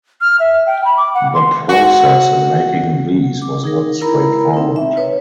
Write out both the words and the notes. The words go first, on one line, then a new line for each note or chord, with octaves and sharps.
The process in making these was not straight forward.
F6
E5
G5
B5
D6
F#5
C6
F#4
D6
D#4 G#4 A#4
E4 A#4 A#5 B5
C4 D#4
E5
B4 C#5